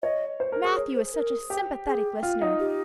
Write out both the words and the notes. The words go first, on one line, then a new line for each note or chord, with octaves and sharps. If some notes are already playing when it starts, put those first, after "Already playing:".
Matthew is such a sympathetic listener.
C#5 D#5
C5
A#4
G#4
C#5
C5
A#4
G4
G#4
F4
D#4
G4